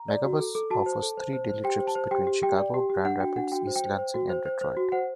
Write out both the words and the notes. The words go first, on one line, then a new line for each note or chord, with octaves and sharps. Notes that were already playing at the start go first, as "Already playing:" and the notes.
Megabus offers three daily trips between Chicago, Grand Rapids, East Lansing, and Detroit.
Already playing: A#5
D5
F#4
A4
A4
F#4 A5
C5
A4
C5
C5
C5
G4 G5
C5
A5
C5
G4 G5
G4
G4 G5
D5
G4
G4
D4 F#5
F#4 G5
D4 F#5
F#4 G5
C5
G5
C5
C5
F#4
C5
C5
C5
F#4
C5 F#5